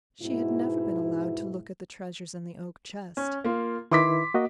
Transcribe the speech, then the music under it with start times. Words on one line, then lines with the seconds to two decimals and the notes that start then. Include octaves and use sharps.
She had never been allowed to look at the treasures in the oak chest.
0.21 G#2 B2 E4
3.17 C#4
3.44 A#3 F4
3.91 D#3 E4 B4 C6 D6 B6
4.34 A#3 F#4 D#5